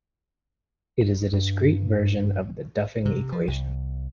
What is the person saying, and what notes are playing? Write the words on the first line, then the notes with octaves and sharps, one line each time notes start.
It is a discrete version of the Duffing equation.
G2
C3
F3
C2